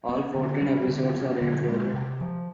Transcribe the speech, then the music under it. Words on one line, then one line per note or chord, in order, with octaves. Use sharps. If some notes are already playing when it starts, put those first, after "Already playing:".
All fourteen episodes are included.
B3
D3
G3
D3
B3
D3
G#3
C3
F3